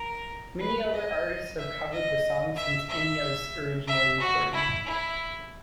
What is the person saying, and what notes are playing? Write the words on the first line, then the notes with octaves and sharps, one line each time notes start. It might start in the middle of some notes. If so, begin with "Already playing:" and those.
Many other artists have covered the song since Enya's original recording.
Already playing: A#4
B4
D#5
E5
D#5
E5
E5
E5
F#4
E4
E4